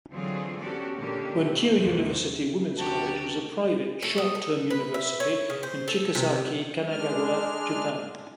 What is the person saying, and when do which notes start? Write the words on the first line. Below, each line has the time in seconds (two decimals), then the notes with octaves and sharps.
Bunkyo University Women's College was a private short-term University in Chigasaki, Kanagawa, Japan.
0.12 D3 E3 F#3 C4 F4 G#4
0.60 B3 C#4 F#4 G4 A4 D5
0.96 A#2 D3 D#3 A#3 C#4 G4
1.38 C3 A3 E4
1.79 D#2 G#2 C3 E3 G#3 F#4
2.78 D2 F#4 G4 A#4 A5
4.02 A3
4.18 D#5
4.35 A4
4.70 B4
4.94 E5
5.20 C#5
5.50 C#3
5.63 C5
5.88 A4
6.15 C3
6.86 G#3 D4 F6